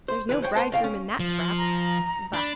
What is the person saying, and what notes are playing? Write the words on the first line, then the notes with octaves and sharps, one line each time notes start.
"There's no bridegroom in that trap."
C5
B1 E3 B4
C5 C#5 G5
A3 B4 C5 G5 A5
A2 F5 G5
C#4
F3
A#5
D4 B5